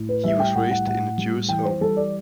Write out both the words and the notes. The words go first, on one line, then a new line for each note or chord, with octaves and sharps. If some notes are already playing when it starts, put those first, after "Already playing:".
He was raised in a Jewish home.
Already playing: A2
B4
G3 E5
G5
A2 F#5
F#5
A2 F#5
G3
E3 G5
C5
G3 A4
D5